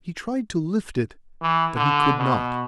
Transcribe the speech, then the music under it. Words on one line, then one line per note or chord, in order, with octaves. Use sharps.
He tried to lift it, but he could not.
E3
D3
B2